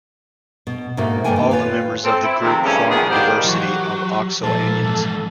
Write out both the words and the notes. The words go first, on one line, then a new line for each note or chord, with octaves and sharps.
All the members of the group form a diversity of oxoanions.
B2
G#2 B2 A3 A#3 F#4
G2 D#3 A3 A#3 G5 G#5
D#3
F4 G4 B4 C#5 F5
C4 A4
E4
C3 D#3 F3 G#3 A3 C4
G2 C#3 A3 A#3 C#4
A#2 D#3 F3 G#3 B3 G#4
D#3 G3 G#3 A#3 G4 C5
E3 F#3 E4 F#4 G4
A#2 F3 G#3 A4 A5
G#2 E3